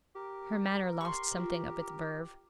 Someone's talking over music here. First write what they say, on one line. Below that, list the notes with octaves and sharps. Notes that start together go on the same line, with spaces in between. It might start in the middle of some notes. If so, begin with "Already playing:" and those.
Her manner lost something of its verve.
G4 A#4
G4 C6 C#6
F4